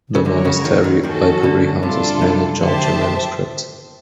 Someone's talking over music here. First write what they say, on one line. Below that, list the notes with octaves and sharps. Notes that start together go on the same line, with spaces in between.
The monastery library houses many Georgian manuscripts.
C#3
D2 D3 F#4 A#4 C#5
C#2 C#3
D#2 D#3
D#2 D#3
D#2 D#3 C#4 F#4 A4
D2 D3
C2 C3 D4 F4 A4
C2 C3
D2 D3 G4 C5 E5 A5
D#3